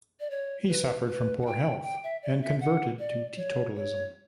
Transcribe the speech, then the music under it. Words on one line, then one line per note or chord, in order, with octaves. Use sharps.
He suffered from poor health and converted to teetotalism.
D5
C#5
B4
B4
F#5
G5
G5
E5
D5
E5
F#5
D5
C#5
C#5